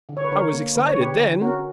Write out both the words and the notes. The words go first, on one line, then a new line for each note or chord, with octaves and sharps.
"I was excited then."
D3
C#5
B4
D3 A#4 C#5
A#3
D3 B4
C#5
D3 G4 B4
D3
C#4 F#4 A#4